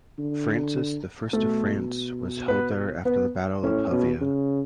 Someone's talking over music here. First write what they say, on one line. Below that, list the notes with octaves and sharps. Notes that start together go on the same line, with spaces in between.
Francis the First of France was held there after the Battle of Pavia.
D3
B2 A3 A4
B3 B4
B3 B4
A2 C#4 C#5
B2
C#3